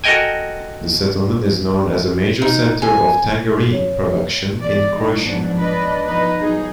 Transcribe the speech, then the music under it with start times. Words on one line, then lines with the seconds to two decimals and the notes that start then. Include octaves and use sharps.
This settlement is known as a major center of tangerine production in Croatia.
0.04 F#4 A4 A#4 D#5 G5 G#5
2.42 D#4
2.82 G#5
3.72 C#5
4.57 E2 D5
4.88 G#3 D#4
5.21 G#2 F3 F#3 B3 D4
5.59 D4 B4 D5 D#5
6.05 F3 B3 D#4 B4 D#5
6.37 F#3 D#4 G#4